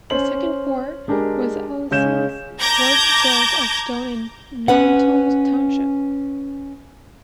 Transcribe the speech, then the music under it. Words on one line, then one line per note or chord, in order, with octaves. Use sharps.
The second fort was Ellison's Fort built of stone in Knowlton Township.
C#4 C5 F#7
G#3 D4 G4 A#4
C#3 G#3 C#4 G6 E7
A5 A#5 D6 G6 G#6 A#6
C#4 B4 F#5